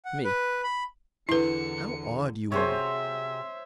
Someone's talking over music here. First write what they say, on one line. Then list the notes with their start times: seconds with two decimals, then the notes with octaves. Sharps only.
ME: How odd you are!
0.05 F#5
0.24 B4
0.64 B5
1.29 E2 D3 E4 B4 C#7
2.52 C3 F#4 G#4 C5 C#5 E5